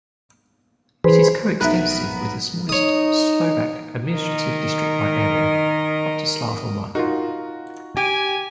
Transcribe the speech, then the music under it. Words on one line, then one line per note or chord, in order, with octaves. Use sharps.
It is coextensive with the smallest Slovak administrative district by area, Bratislava One.
E3 G#4 B4 C5
B1 B3 A#4 B4 E5 F#6
D#4 C#5 D#6
D#3 A#4 D#5
D#4 F4 F#4 A#4
G4 G#5